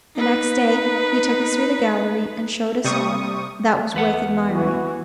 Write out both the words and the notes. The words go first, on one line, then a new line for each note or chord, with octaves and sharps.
The next day he took us through the gallery, and showed us all that was worth admiring.'
D#4 B4
C3 G3 C#6 D#6
E2 B4 F#5
E3 F#4